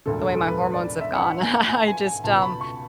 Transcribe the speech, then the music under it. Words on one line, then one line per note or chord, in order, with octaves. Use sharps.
the way my hormones have gone, I I just, um,
E1 D2 D3 A4
A4
A4
B4
D5
E5
F#5
G#5
G#5
G#5
G#5
C#2 B2 A5
B5
C#6